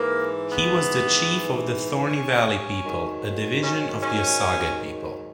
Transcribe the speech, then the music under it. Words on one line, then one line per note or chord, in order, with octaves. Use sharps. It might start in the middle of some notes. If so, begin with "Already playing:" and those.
He was the chief of the Thorny-Valley people, a division of the Osage people.
Already playing: G#2 E3 A#3
B3
C#4
G#2 D#3 F#3
C#4
C#4